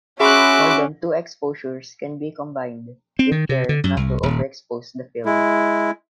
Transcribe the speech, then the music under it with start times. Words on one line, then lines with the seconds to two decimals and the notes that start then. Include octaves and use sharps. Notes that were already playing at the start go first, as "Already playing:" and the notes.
More than two exposures can be combined, with care not to overexpose the film.
0.20 C#4 F#4 G#4 E5 B5 C6 D6 F#6
3.19 C4
3.32 D#3
3.49 C3
3.69 D3
3.84 F#2
3.97 C2
4.23 D#1
5.25 G#3 E4